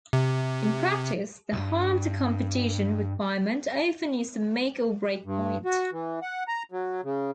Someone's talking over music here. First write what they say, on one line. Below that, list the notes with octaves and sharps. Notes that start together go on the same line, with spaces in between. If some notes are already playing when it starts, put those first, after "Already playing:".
In practice, the "harm to competition" requirement often is the make-or-break point.
C3
C2 G2
G2
F#4
E3
F#5
A#5
F#3
C#3